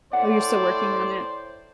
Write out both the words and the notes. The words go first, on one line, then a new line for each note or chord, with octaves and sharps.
Oh, you're still working on it?
A2 C5 D5 F#5